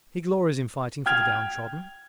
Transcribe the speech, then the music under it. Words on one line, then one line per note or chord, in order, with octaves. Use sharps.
He glories in fighting for the downtrodden.
G5 F6 G#6 F7